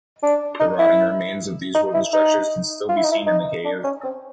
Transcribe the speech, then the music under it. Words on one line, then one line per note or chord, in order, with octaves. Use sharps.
The rotting remains of these wooden structures can still be seen in the cave.
D4
D#4
E4
D#4
E4
D#4
F4
E4
D#4
E4
D#4
D4
C#4
C4